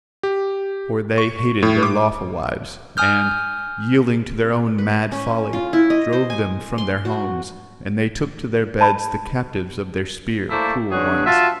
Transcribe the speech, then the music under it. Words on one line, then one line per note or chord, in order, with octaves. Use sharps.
For they hated their lawful wives, and, yielding to their own mad folly, drove them from their homes; and they took to their beds the captives of their spear, cruel ones.
G4
C#6
A2
D6
G#5 D#6 F6 G6
B4
C#4
F4
E4
D#5
C5
G#5
C6
F#4
A5 B5
A3 A#3 E4 C5 D5
G2 D3 G#4 C#5 F#5
F4 F#4 E5 F#5 A5